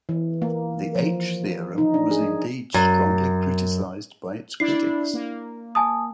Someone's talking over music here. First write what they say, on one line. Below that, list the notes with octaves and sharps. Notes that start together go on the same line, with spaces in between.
The H theorem was indeed strongly criticized by its critics.
E3
A#3
F3
D#4
D4
G#4
F#2
D4 E4 D5 C7
A#3
G#5 A5 D#6